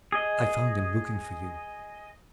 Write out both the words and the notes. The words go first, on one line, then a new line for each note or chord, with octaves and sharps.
I found him looking for you.
G#4 D#5